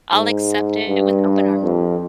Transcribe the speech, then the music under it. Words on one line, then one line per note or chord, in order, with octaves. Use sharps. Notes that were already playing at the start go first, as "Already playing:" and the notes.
I'll accept it with open arms.
G#2
G2
F2